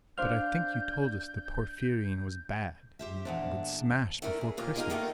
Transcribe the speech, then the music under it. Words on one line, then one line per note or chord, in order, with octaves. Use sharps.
"But I think you told us the Porphyrion was bad, and would smash before Christmas."
D4 C5 F5 F6 G6
G4 C5 E5
E2 A#2 D4 C5 E5 F#5
A3 D4 E4 A#4
G#4
D#2 A#2 F4
G#3 D#4 F4 F#4 G#4 A#4
D3 D#3 A3 A#3 D#4